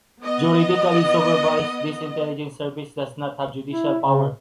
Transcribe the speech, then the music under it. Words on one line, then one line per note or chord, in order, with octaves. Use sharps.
Juridically supervised, this intelligence service does not have judicial power.
B3 D#5
E4
C#3